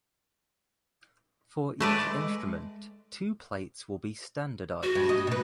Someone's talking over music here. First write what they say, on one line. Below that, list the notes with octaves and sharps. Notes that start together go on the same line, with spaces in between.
For each instrument two plates will be standardized.
G#3 A3 B4 D5
F#4
G2
D#5
B2 B4